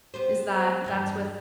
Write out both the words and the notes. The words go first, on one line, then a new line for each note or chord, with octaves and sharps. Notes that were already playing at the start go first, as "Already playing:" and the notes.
is that that's with,
B3 G4 C5
E2 G2 G3